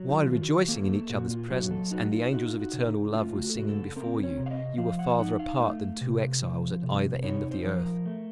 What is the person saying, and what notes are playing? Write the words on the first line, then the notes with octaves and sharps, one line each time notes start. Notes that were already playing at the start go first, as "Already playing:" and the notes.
While rejoicing in each other's presence, and the angels of eternal love were singing before you, you were farther apart than two exiles at either end of the earth.
Already playing: F#3
D#4
F4
D#3 F4
F#4
A#3 A4
A4
A#2 F#4
F4
F#3 F#4
A4
D#4 F#4
F4
D#4 F#4
F4
F#4
C#3
D#4
A3 F4
F#4
A4
C#3 F#4
A4
C4 A#4
C#5
C3
F5
D#5
F3 F5
F#5
D#4 F#5
F5
A3
C3
F3
C3
D#4 C#5
C5
F3
A#4
A3